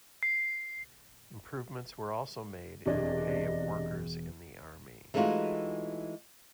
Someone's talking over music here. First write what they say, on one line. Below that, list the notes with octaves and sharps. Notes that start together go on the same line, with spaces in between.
Improvements were also made in the pay of workers in the Army.
C7
E1 C3 D4 G#4 D#5
E3 G#3 A3 D#4 F4 F#4